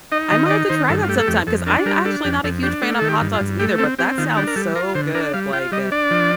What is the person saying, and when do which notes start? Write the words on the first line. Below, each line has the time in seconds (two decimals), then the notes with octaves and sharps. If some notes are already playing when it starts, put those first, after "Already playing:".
I might have to try that sometime, 'cause I actually not a huge fan of hot dogs either, but that sounds so good, like, uh,
0.12 D#4 D#5
0.31 D#3 D#5
0.46 D#5
0.50 D#4 D5
0.69 D#3 C5
0.90 G2 A4
1.03 F4
1.08 A3 G4
1.19 A4
1.27 F2 G4
1.47 F2 A4
1.67 D4 A#4
1.86 G3 A#4
2.05 D4 A4
2.25 F2 G4
2.44 F2 A4
2.63 D4 G4
2.82 A3
2.99 D#3 A4
3.08 G4
3.21 G2
3.34 F4
3.41 G2
3.59 A3 G4
3.78 C4 A4
3.99 C4 G4
4.18 D#3 F4
4.37 D4 G4
4.47 A#4
4.56 G3 A4
4.75 F4 A#4
4.95 D3 C5
5.14 D4 A#4
5.34 G3 F5
5.53 F4 G5
5.72 G3 D#5
5.92 D4 D5
6.11 F3